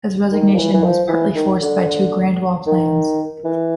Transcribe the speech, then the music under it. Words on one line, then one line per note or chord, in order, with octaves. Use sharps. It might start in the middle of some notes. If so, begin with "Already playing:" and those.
His resignation was partly forced by two grandiose plans.
D#3
F3
E3
E3
F3
E3
D#3
D3
D#3
E3